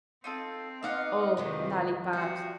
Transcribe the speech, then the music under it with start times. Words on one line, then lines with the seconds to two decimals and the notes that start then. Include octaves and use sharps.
Oh, lollypops!
0.24 C4 D#4 F4 A4
0.83 B3 D#4 D5 D#5 F5 F#5
1.37 F2 C3 D#3 E3 G#3
2.13 F3 G3 F#4